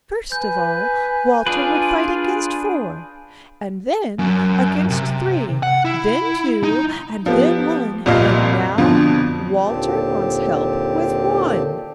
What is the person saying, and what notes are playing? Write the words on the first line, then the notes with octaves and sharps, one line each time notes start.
First of all Walter would fight against four, and then against three, then two, and then one, and now Walter wants help with one.
B4 G#5 G6
D4 F4 G#4 B4
F#2
C3
F#5
E4
D#4
F3 B3 G4
C2 F2 A#2 G4 D#5 F5
F2 B2 D3 F3
D#2 A#2 D3 C4 G4 A5